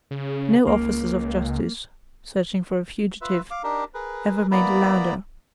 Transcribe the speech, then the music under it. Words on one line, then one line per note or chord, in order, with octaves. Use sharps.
No officers of justice, searching for a fugitive, ever made a louder.
C#3
C#2 A#3
F4 B4 E5
F5 D6
D4 D#4 G4 A#4
G#4 A#4 B4
A#3 B3 E4 D5 A#5 B5